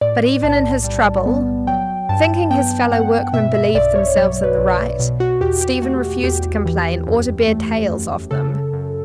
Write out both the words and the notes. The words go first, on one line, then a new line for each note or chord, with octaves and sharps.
But even in his trouble, thinking his fellow workmen believed themselves in the right, Stephen refused to complain or to bear tales of them.
A2 D5
B1 A5
G3
B3
F#3 G5
G2 A5
B3 G5
G2 F#5
B2 E5
E5
B1 D5
C#5
F#3 C#5
B4
B1
B2
F#4
E2 G4
G4
A3 F#4
E2 G4
E3
F#2
A3
F#2
C#3 A4
F#2